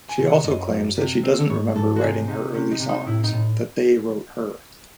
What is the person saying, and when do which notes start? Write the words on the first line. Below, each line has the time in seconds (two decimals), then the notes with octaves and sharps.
She also claims that she doesn't remember writing her early songs-that they wrote her.
0.09 G#5
0.19 C3
0.27 F#5
0.44 F#2 D#5
0.71 F#2
0.97 C3
1.24 C4
1.49 G#2 C#5
1.75 G#2 A4
1.96 F#4
2.01 C3 G#4
2.27 C3 D#4
2.54 C3 C#4
2.71 D#4
2.80 C3
2.89 D#4
3.06 A2 E4
3.24 D#4
3.32 A2